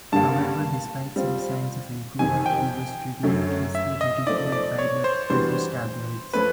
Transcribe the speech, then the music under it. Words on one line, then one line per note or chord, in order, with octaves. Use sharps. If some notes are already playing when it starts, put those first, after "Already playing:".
However, despite some signs of improvement, he was relentlessly ridiculed by the British tabloids.
G2 D3 G3 A#3 A5
G3 C4 F4
F2 C3 D#3 G#5
G5
F#2 D3 F#3 A3 C#4
E5
D#5
F3 A3 C4 D#4 D5
D5
C#5
C5
E3 G3 B3 D4 F#4 C5
F3 A3 C#4 B4